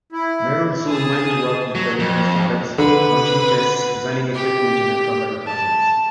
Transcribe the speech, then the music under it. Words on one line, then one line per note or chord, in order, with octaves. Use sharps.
Merrill soon went to work developing standards, launching tests, designing equipment and uncovering hazards.
E4
G#4 A5 D#6
F#3
F2
D3 B4 B5
G4
A5